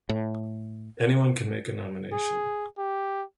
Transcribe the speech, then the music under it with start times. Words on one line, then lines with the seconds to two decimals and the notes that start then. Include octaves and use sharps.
Anyone can make a nomination.
0.09 A2
2.13 G#4
2.78 G4